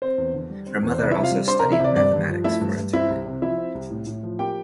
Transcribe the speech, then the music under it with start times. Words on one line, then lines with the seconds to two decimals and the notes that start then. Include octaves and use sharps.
Her mother also studied mathematics for a time.
0.02 C4 C5
0.18 E2
0.34 D3
0.50 G3
0.67 C4
0.83 E2
0.91 C5
0.99 C3 D5
1.11 E4 E5
1.15 C3
1.23 F4 F5
1.31 G3
1.47 D4 C5 C6
1.59 A#4 A#5
1.64 C3
1.72 E4 E5
1.80 C3 D5
1.96 G2 D5
2.13 G2
2.29 F3
2.44 A3 E4 E5
2.61 G2
2.77 G2
2.93 C4 E4 E5
3.10 C2
3.26 C3
3.42 F3 E4 E5
3.58 C4
3.75 C2
3.90 A2
4.07 A2
4.23 F3
4.39 A#3 G4 G5